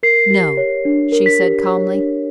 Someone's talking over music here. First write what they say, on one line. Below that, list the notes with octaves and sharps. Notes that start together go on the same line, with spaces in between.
"No," she said, calmly.
A#4 C7
G4
C#5
D4
A#4
B6
G4
C#5
D4